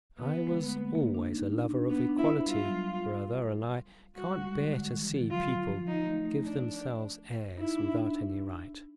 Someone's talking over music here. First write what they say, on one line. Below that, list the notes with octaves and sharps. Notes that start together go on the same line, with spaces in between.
I was always a lover of equality, brother, and I can't bear to see people give themselves airs without any right.
D3 B3
G#3
A3
A#3
A#3
D4
D#4
D4
D4
B3 D4
D4
E4
B3
G3 F4
F#3
G3 F#4
G3
G#3
G#3
D3
D#3
E3
F3
F#3 F4
F#3
F3
F3 D#4
A3
A3
D4
D#4 E4
D4
D4